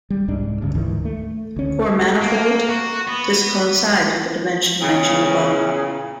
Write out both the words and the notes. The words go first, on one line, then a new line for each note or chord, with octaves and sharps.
For a manifold, this coincides with the dimension mentioned above.
G3
C2 G#2 G#3 D4
D1 C#2 G2 C#3
D2 G#2 D#3 E3
A3
D2 C#4
A#3
F#4
B3
E2 A#2 C#3